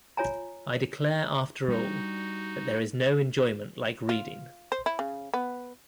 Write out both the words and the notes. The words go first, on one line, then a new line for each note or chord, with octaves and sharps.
I declare after all there is no enjoyment like reading!
F4 C#5 G#5 A#5
G3 G#3 D4 D#4 F#4
F4
C5
E4
C#3
B3